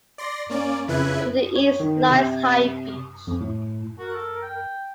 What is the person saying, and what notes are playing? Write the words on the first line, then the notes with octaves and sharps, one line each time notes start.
To the east lies High Beach.
D5 C6 A#6
A#3 C#4 D5
F2 C#3 E4 B4 F#6 G#6
C#5
D#3
C3
F2
A2
F#4 A#4
A4
G5